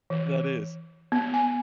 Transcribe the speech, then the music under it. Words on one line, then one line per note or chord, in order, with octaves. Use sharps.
That is.
E3
B3
G#5